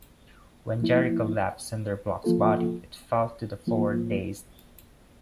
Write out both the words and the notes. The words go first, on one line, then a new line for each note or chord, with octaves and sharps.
When Jericho left Cinderblock's body, it fell to the floor dazed.
F3 A#3 E4
F3 A#3 F4 A4
F3 A#3 F4